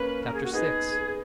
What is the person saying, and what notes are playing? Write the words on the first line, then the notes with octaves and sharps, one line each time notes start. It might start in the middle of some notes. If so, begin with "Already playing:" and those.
Chapter VI.
Already playing: A#3 C#4 B4
A#4
G#4
F#4
B3 D#4 G#4